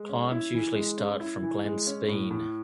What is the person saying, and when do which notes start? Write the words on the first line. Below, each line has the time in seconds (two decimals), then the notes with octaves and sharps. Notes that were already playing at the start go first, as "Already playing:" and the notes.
Climbs usually start from Glen Spean.
Already playing: G#3
0.09 C#4
0.32 E4
0.54 E3
0.75 G#3
0.98 C#4
1.20 E4
1.42 E3
1.64 G#3
1.87 C#4
2.09 A2
2.31 A2